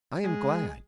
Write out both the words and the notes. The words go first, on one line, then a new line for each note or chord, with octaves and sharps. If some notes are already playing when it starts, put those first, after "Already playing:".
"I am glad."
G#3